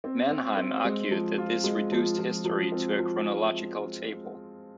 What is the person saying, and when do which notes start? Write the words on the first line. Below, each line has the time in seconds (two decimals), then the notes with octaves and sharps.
Mannheim argued that this reduced history to "a chronological table".
0.04 C4
0.31 C4
0.57 C4
0.85 G#3
1.11 F3
1.38 F4
1.64 G#3
1.92 F3
2.18 F3
2.45 F3
2.72 C4
2.99 F3